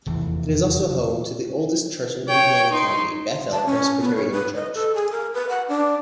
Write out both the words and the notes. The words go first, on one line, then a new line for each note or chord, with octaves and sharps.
It is also home to the oldest church in Indiana County, Bethel Presbyterian Church.
F1 E2 E3
C#5 G5
D#4 C6
A5
C#4
B3
C#5
B4
D#5
A4
G#4
A#4
B4
F#5
D4